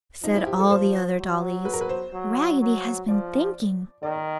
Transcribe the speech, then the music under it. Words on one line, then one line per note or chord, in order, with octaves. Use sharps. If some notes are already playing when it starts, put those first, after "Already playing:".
"Sh!" said all the other dollies, "Raggedy has been thinking!"
F3 D#4
E4
G4
A4
C5
F#3
B4
A#4
B4
C5
F#3
F#3
F3 D5
D#3 D5
D#5